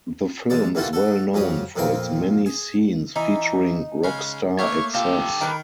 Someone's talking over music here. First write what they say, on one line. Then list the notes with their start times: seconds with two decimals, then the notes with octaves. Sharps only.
The film is well known for its many scenes featuring rock star excess.
0.50 A1 G#3 D5 A#5
0.75 E3 G3 A#3 F4 F#4 A4
0.93 F#4 A4
1.34 F2 F#3 C#4 G4 D#6
1.76 F2 A#2 C4 A#4 F5 G5
2.46 G#4
3.16 E3 D#4
4.04 C#3 G#3
4.59 A3 A#3 C#5
4.95 F4 G4 A4
5.41 D#3 A#4 B4